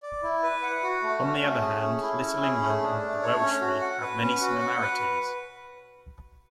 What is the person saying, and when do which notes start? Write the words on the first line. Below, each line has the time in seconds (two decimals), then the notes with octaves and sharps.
On the other hand, Little England and the Welshry have many similarities.
0.03 D5
0.23 E4
0.43 B4
0.63 F#5
0.83 F#4
1.03 A3
1.22 C#4
1.43 A3
1.62 G#4
1.82 C#4
2.02 E4
2.22 C#4
2.42 G#4
2.62 A3
2.82 D4
3.02 A3
3.22 C#5
3.41 C#4
3.61 F#4
3.81 F#5
4.01 B4
4.22 C#4
4.42 F#4
4.61 F#5
4.81 B4